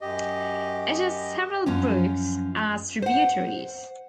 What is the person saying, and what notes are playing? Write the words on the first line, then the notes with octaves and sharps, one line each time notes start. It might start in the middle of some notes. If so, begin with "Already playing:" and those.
It has several brooks as tributaries.
F#2 G4 D#5
F#2 F3 C#4
C5 F#5